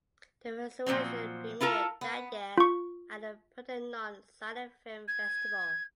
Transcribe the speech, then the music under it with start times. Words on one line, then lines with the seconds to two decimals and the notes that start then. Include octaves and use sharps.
The restoration premiered that year at the Pordenone Silent Film Festival.
0.86 A#2 F3 F#3 C4
1.60 E4 F4 A4 A#4
2.01 B3
2.58 F4 C#6
5.08 G#6